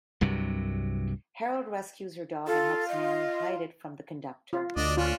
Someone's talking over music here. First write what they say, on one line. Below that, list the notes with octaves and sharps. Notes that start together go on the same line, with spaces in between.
Harold rescues her dog and helps Mary hide it from the conductor.
C2 G2 C3 F#3
F4 A4
D#5
F4
D2 D4 D5 D#5
C#4 D4 F4